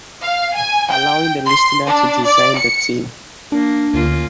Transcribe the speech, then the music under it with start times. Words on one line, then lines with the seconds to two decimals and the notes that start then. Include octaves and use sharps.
Allowing the listener to design the theme.
0.22 F5
0.57 G#5
0.90 G5
1.47 C6
1.87 D4
2.27 D5
2.58 C#7
3.52 A#3 D4
3.94 D2 A#3 C#4 F4